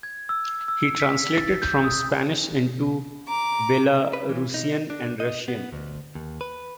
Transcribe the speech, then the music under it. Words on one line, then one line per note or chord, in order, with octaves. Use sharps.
He translated from Spanish into Belarusian and Russian.
G#6
E6
E6
B6
A6
G6
D#6
A#5 D6
B4
E3
D#4
D4
D#5
B3
D2
D#2
B4